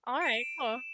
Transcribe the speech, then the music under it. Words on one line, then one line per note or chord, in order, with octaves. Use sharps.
alright, cool.
D7
E7